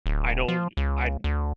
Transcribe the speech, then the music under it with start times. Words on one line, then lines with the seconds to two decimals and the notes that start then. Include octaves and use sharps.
I know, I
0.06 D1
0.48 F3
0.77 C#2
1.24 D2